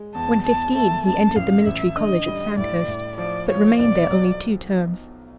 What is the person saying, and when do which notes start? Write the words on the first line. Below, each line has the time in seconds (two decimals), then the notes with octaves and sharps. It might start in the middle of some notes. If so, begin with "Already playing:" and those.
When fifteen, he entered the Military College at Sandhurst, but remained there only two terms.
Already playing: G#3
0.14 E2 A5
0.45 E2 A5
0.75 A3 A5
1.06 F#2 A5
1.36 A1 F5
1.66 A1 E5
1.96 D3 D#5
2.27 G3
2.58 A2 D5
2.88 A2
3.17 F3 D5
3.49 F3 C#5
3.78 B1 D5
4.08 F#3